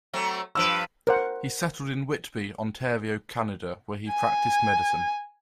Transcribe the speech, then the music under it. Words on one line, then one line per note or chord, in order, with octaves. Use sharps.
He settled in Whitby, Ontario, Canada, where he practiced medicine.
F#3 A3 C4
G2 F3 B4 E6 D7
A#4 C5 F#5
G#5